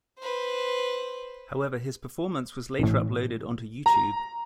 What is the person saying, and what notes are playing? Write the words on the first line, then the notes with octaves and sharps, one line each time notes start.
However, his performance was later uploaded onto YouTube.
B4 C5
A1 A2
A#5